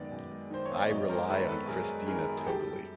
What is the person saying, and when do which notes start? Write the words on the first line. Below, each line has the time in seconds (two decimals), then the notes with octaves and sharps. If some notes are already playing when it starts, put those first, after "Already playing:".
I rely on Kristina totally.
Already playing: F#2 D#3 G#3 B3 D5
0.12 F#2
0.31 G#3
0.50 D#3 C5
0.66 C#5
0.71 B3
0.78 D5
0.90 F#2 C#5 D#5
1.09 G#3 A#4 C5
1.29 D#3 A4 B4
1.48 B3 A4 B4
1.68 F#2 G#4 A#4
1.88 G#3
2.07 D#3 G#4 A#4
2.27 B3
2.37 G#4
2.46 F#2 G4 A4
2.67 G3